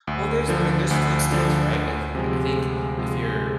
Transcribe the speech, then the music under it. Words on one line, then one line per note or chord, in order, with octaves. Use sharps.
Well, there's I mean, there's food stamps. Right? Like, I I think if you're
D2
D3 F3
D2
D3 F3
D2
C3 F3 G#3
D2
C3 F3 G#3